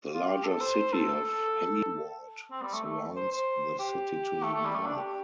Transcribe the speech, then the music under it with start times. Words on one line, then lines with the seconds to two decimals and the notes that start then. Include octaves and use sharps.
The larger City of Hayward surrounds the city to the north.
0.13 F4
0.28 G4
0.45 A4
0.61 C5
0.93 A4
1.08 A4
1.25 A4
2.51 C4
2.62 G3
2.73 A3
2.84 A3
3.16 C5
3.32 C5
3.79 G4
4.43 A3
4.54 A3
4.65 G3
4.75 A3
4.86 D4
4.96 G4